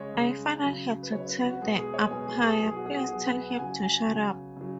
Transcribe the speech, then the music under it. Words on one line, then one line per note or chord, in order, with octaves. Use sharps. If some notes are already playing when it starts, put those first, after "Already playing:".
I finally had to tell the umpire: 'Please tell him to shut up.
Already playing: C#3 G#3 C#5 D#5
C#3 G#3
C#3 F#3
B4
C#3 F#3 C#5
B4
F#4
B2 G#3 G#4
G#4
C#5
B2 G#3 G#5
G#4
G#4
B2 F#3 G#4
G#4
F#4
G#4
F#4
B2 F#3 G#4
B4
F#5
C#3 F#3 G#5
G#5
C#3 F#3
C#3 F#3